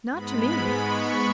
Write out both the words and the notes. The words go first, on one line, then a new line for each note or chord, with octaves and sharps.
"Not to me."
G#2 G#3 B3 B5
C#6